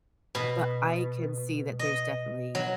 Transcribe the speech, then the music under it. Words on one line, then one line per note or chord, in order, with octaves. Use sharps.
but I can see that there's definitely,
B2
D#5
F#3